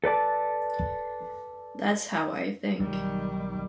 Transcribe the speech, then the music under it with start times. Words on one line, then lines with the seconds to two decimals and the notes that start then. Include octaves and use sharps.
That's how I think.
0.04 A4 B4 D5 A5
2.80 B1 G#2 D#3 G3